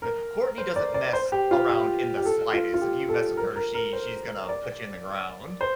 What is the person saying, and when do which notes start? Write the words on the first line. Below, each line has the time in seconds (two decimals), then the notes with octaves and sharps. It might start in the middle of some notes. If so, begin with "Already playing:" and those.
Uh, Courtney doesn't mess around in the slightest. If you mess with her, she she's gonna put you in the ground.
0.02 A#4
0.58 C5
0.76 D5
0.94 D5
1.13 C5
1.32 G4
1.51 F4
1.70 G4
2.17 G4
2.25 A4
2.53 F4
2.74 F4
2.81 G4
3.09 A4
3.37 A#4
3.56 A#4
3.74 A#4
3.93 C5
4.49 D5
5.61 C5